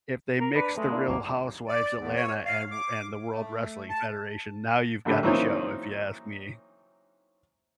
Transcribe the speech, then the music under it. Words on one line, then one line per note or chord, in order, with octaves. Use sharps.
if they mixed the Real Housewives Atlanta and w and the World Wrestling Federation, now you've got a show if you ask me.
A#4
D4 B4
G#3 A3
A#3 D4 E4
G#1 D#2 F#3 A#3
D5
E2
C#5
F5
D6
A3
A5
A#1 A2 D3 G4
E3 F#3 A#3 C4 C#4 D#4